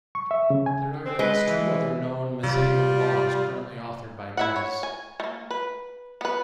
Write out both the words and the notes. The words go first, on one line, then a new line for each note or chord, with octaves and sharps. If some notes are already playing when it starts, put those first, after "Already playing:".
There are at least two other known mezangelled blogs currently authored by mez.
C#6
E5
C#3
G#5
C4
G#3 B4
E3
C3 G3 F4
E4 E5 F#5
C#5
G#5
A3 A#3
B4
B3 B4